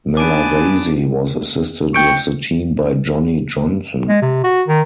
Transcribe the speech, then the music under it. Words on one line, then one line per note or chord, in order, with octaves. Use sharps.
Malavasi was assisted with the team by Johnny Johnson.
B3 D4 G#5 A5 D6 D7
G5 C#6 G6 D7
G#3
C3
F#4
D#3